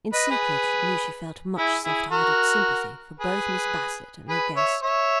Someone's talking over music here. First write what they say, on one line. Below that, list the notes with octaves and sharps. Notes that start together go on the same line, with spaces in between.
In secret Lucia felt much soft-hearted sympathy for both Miss Bassett and her guest.
B4 D#5
G#4 B4
E4 G#4
E4 G#4
F#4 A#4
G#4 B4
G#4 B4
C#5 E5
C#5 E5